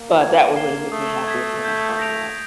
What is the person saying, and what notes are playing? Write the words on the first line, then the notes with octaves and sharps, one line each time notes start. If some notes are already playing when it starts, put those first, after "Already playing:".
but that would really make me happy if when I find that.
Already playing: A#3
G#6
C7 E7 G7
A3 D#6
G#6 B6
G6
A#6 D7 F7